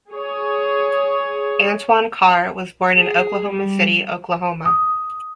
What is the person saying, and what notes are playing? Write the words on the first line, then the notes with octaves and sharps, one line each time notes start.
Antoine Carr was born in Oklahoma City, Oklahoma.
G#4 C#5
G#4
G3
D#6